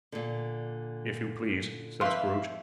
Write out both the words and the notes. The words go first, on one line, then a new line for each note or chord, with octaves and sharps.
'If you please,' said Scrooge.
A#2 D3
F2 B4 E5 F5 C6